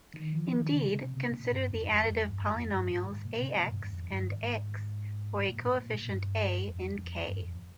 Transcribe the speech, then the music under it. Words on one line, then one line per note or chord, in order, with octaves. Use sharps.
Indeed, consider the additive polynomials "ax" and "x" for a coefficient "a" in "k".
D#3
F3
D#3
C#3
C3
C3
C3
A#2
G2
F2
F2
G2
F2
G2
F2
G2
G#2
G#2
A#2
C3
A#2
G2
G2
F2
G2
G#2
G#2
A#2
G#2
A#2
A#2
G2
F2
F2
G2
F2